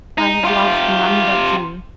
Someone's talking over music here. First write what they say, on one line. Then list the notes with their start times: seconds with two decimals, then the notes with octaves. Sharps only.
I have loved none but you.
0.18 D#4
0.44 F4 G4